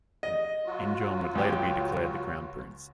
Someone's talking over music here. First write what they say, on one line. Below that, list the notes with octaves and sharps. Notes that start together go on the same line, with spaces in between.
Injong would later be declared the crown prince.
D#5
F#3 F4 F#4
C#2 G4